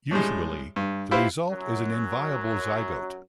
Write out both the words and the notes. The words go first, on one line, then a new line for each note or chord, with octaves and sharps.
Usually, the result is an inviable zygote.
A2 G3 G#3
G2
E4 F4 G4 B4 C5 F5
F#2 F#3